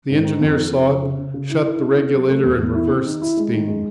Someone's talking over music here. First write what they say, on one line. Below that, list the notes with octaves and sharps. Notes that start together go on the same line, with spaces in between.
The engineer saw it, shut the regulator, and reversed steam.
G#2
D#3
F2
F2
F2
C#3
C#3
C#3
C#3
E4
E4
E4
B3
F#3
A3
E2
E2
E4
C4
D#3
E4
G#3
D#3
G#3